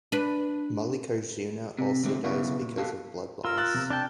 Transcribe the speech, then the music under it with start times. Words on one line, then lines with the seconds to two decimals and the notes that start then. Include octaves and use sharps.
Mallikarjuna also dies because of blood loss.
0.12 D4 B4
1.79 C3
2.03 C2 D3 G3 A3 C4
2.24 B1 C#3 B3 E4 F#4 F5
2.62 A#2
2.77 F#4 G4 A4 F5
3.45 F4 A#4 E6
3.58 F#6 A6
3.74 C3
3.90 D4 G5 A5